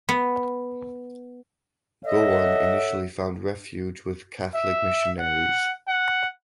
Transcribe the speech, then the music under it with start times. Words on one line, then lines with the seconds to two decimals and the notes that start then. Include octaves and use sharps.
Gowon initially found refuge with Catholic missionaries.
0.09 B3
2.05 A4 C#5 D#5 E5 F#5
4.54 E5
5.19 F#5
5.88 F#5